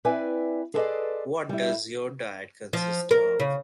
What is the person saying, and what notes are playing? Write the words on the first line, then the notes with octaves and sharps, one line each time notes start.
What does your diet consist of?
C4 E4 B4 D5 E5 G#5
G#4 A4 B4 C5 D5 D#5
G3 E4
F3
A#4
C#3